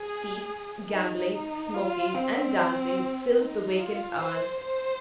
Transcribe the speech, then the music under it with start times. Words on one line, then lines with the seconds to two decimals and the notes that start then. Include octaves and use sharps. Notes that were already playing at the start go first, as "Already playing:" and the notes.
Feasts, gambling, smoking, and dancing filled the vacant hours.
Already playing: G#4
0.93 D#4
1.74 F4
2.15 C4
3.38 D#4
3.79 F4
4.20 C5
4.60 C5